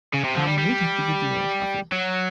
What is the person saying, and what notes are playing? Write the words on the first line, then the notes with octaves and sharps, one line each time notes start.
Am Montag beginnt die neue Staffel.
C#3
C3
F3
G3
G3
F#3